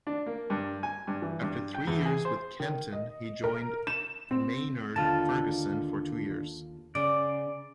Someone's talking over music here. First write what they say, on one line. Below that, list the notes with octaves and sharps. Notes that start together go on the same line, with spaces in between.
After three years with Kenton he joined Maynard Ferguson for two years.
D4
A#3
G2
G#5
G2
E3
G2
G5
E2
G#4
C5
D#3
D#5
A#4
E7
C4
D#2 D3 F4 A5
C#3 D5